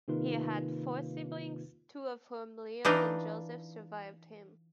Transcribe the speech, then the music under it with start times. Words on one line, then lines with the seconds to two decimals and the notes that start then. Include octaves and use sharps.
He had four siblings, two of whom, Leon and Joseph, survived him.
0.08 C3 D#3 A#3 D#4 F4 B4
2.85 E3 D4 D#4 F4